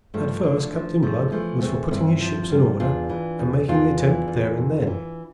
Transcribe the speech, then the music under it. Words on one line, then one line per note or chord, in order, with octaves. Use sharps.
At first Captain Blood was for putting his ships in order and making the attempt there and then.
G2 F3 A3
D3
F3
E2 F3 A3
A#3
E3 F3 A3
E2 A3 C4
G2 C4 E4
F3
G2
E2 D4 F4
E3
E2
E2 D4 F4
E3
E2
F2
E3